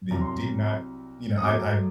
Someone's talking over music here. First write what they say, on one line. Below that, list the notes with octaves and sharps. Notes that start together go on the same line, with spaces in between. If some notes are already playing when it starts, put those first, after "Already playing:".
that did not you know, I I
C2 C3 F#3 A#5
C6
A#5
D#6
F#2 F#3 A3 D6